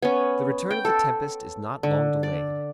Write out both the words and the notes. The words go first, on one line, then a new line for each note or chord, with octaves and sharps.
The return of the tempest is not long delayed.
B3 C#4
G5
A4
D3
D5